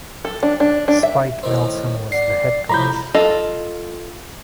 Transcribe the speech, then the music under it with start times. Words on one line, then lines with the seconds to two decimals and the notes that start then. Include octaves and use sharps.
Spike Nelson was the head coach.
0.25 A4
0.43 D4
0.60 D4
0.88 D4
1.03 E5
1.43 A2 D#3 C4
2.12 D5 F#5 C7
2.70 F2 A2 C3 A#5 B5 G6
3.15 F4 A4 D#5